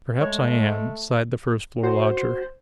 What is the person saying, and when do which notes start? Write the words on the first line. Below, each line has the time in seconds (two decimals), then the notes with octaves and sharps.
Perhaps I am,' sighed the first-floor lodger.
0.21 G#3 A3 C#5
1.83 F#4 C5